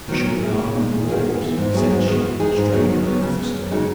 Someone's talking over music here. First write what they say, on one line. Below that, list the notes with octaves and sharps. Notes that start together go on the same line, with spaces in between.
'You should have gone among the wolves,' said she, striking her with a stick.
D#3 F#3 B3 D#4
A#2
A#3 E4 G#4
C#3
G#3 D#4
E2
D#3 A#3 E4 G#4
G#2
E3 B3
G#2
F#3 B3 E4 G#4
G#2
D#3 G#3 B3 F#4
E3
G#3 D#4 G#4
G#2
F#3 B3 D#4 G#4
D#3
F#3 B3
C#3
G#3 B3
F#2
C#3 G#3 D#4 F#4